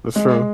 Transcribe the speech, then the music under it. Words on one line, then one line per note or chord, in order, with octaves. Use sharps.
that's true.
G#3